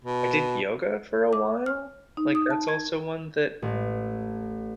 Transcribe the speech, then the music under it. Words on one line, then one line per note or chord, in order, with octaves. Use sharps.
I did yoga for a while. Like, that's also one that
B2
D6
F6
D#4
D#6
A5
G#6
A1